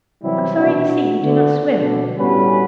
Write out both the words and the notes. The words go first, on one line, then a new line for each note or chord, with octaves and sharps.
I'm sorry to see you do not swim.
C3 E3 F#3 G3 E4
B2 D4 F#4
D3
B2 D3
A2 G3 B3 C#4 F#4 B4